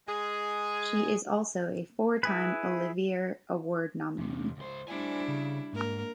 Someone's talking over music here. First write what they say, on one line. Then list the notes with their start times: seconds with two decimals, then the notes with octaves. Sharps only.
She is also a four-time Olivier Award nominee.
0.08 G#3 G#4
2.23 E4 G#4 B4
4.18 E2 C3
4.57 C#2 C5
4.88 G3 D4 E4 C5 G#5
5.28 C#3
5.73 G#2 A#3 A#4